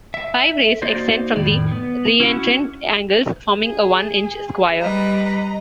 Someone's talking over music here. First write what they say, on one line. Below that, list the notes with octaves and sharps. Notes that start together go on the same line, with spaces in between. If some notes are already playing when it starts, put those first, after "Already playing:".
Five rays extend from the reentrant angles, forming a one-inch square.
E5
A#3 D#4 F#4 C5 D5
F2 A2 D#3 D5
B3
C#4 E4 F#4
G#4
G3 B4 D#5 A#5